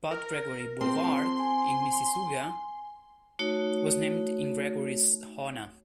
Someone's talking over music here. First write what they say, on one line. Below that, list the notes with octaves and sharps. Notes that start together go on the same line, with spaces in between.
Bud Gregory Boulevard, in Mississauga, was named in Gregory's honour.
A#4
C4 F4 G#4 A5 C6
G#5
A3 D#4 F#4 C#5